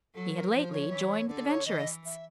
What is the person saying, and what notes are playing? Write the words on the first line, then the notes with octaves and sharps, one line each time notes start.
He had lately joined the Venturists.
F#3 A4
A#4
F3 C5
C#5
E3
D3 D5
C#5
E3 D#5
E5